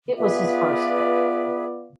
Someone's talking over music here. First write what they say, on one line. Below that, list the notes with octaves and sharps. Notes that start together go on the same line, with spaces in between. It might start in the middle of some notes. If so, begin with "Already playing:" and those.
It was his first book.
B3 F4 G#4 B4 D5 E5